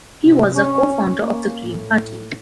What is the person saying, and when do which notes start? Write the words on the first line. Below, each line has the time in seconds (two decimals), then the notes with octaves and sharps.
He was a co-founder of the Green Party.
0.25 C3
0.54 C#4
1.19 A#3
1.62 A2